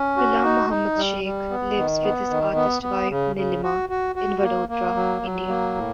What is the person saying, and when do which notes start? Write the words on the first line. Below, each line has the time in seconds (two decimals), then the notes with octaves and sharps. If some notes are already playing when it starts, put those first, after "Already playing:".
Gulam Mohammed Sheikh lives with his artist-wife Nilima in Vadodara, India.
Already playing: C#4
0.17 F#4
0.44 D#4
0.70 D#4
0.96 G3
1.24 G3
1.50 B3
1.76 D#3
2.03 B3
2.30 D#3
2.56 B3
2.83 B3
3.10 C#3
3.36 C#3
3.63 F#4
3.89 F#4
4.16 F#4
4.42 A#3
4.69 A#3
4.95 F#3
5.22 F#3
5.49 A#3
5.76 A2